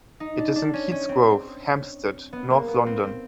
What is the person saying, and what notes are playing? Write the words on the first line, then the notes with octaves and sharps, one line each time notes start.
It is in Keats Grove, Hampstead, north London.
D#4
D4
D4
C#4
C#4
C4
B3
A#3
B3
C4
C4